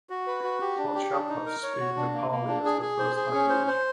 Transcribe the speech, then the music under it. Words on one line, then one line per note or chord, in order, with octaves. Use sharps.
Lhotshampas speak Nepali as their first language.
F#4
B4
F#4
G4
D4
G4
D4
D#4
A#4
C#5
F#4
D4
A#3
A#3
D4
G#4
G#4
C5
G#4
C#4
C5
C5